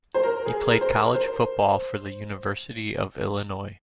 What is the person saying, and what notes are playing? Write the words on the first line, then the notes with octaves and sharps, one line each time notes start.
He played college football for the University of Illinois.
C5
A#4
G#4
A#4
C5
A#4
C5